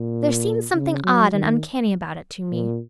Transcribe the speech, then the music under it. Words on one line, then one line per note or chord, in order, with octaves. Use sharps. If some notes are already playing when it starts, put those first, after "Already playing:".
There seemed something odd and uncanny about it to me.
Already playing: A#2
C#3
F#3
D#3
A#2